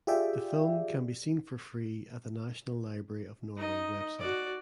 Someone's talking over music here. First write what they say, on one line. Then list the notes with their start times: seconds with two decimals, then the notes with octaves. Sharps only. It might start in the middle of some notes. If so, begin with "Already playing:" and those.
The film can be seen for free at the National Library of Norway website.
0.07 F4 G4 G#4 D5 E5 G5
3.57 D#4 D#5
4.19 F#4 D5